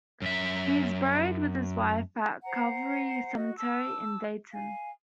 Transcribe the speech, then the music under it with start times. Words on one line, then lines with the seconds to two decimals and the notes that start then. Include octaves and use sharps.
He is buried with his wife at Calvary Cemetery in Dayton.
0.22 F#2 E5
2.43 C5 F#5 A#5
3.35 F#4 D#5
3.57 A5 D6 E6
4.53 F5 G#5